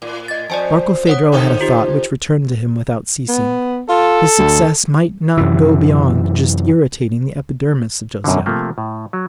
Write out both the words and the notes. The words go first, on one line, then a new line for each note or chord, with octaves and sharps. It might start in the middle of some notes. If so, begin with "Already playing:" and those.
Barkilphedro had a thought which returned to him without ceasing: his success might not go beyond just irritating the epidermis of Josiana.
A2
D#5 A6
F2 C5 D5 G#5 A5
C#5 F#5 D#6
D3 A4 C5
F4 G4
B3
F4 A4
D2
F#2 C3 E3
F#2 B2 D3
C3 F3 A3 A#3
A2
F#3